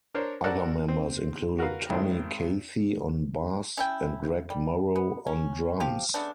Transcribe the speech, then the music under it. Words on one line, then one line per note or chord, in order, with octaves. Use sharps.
Other members included Tommy Cathey on bass and Greg Morrow on drums.
D4 A#4 C5 C#5
F#4 A4 A#4 C5 D5 F#5
C4
F#4 A#4 B4 F5
G#1 D#3 C4 E4
C#4 E4 G5
G3
B3
C#4
F3 G4 F5
C#3 A3 B3 D4